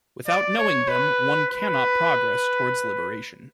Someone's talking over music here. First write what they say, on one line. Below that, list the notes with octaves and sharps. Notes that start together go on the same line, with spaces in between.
Without knowing them one cannot progress towards liberation.
D5
C#5
B4
B4